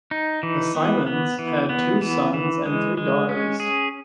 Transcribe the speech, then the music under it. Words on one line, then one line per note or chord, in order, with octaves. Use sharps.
The Simons had two sons and three daughters.
D#4
E3
B3
B3
E3
B3
E3
E3
G#3
G#3
C#4
G#4